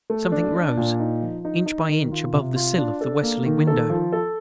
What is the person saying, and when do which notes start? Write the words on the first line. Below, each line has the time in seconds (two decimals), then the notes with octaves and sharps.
Something rose, inch by inch, above the sill of the westerly window.
0.10 A3
0.32 D4
0.55 D4
0.77 A#2
1.00 D#4
1.22 F3
1.45 D#4
1.66 D#4
1.89 D#3
2.12 F4
2.34 C3
2.56 F4
2.78 D4
3.01 A4
3.23 A#3
3.46 D#3
3.67 A4
3.90 F3
4.12 A4